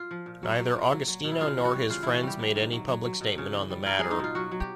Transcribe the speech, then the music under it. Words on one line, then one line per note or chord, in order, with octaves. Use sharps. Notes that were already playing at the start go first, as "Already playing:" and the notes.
Neither Agostino nor his friends made any public statement on the matter.
Already playing: F4
F3
A#2
F#3
F#3
A#2
F#3
F#3
B2
E4
C#3 F4
E3
F#4
G3
C#3 F4
E3 E4
F#4
G3 G4
C3
D#3
F#3
F#3
F#3
B2
C#3
E3
G3
G3 A#4
G3 G#4
D#4
B2 F4
F#3 F#4
F#3
G4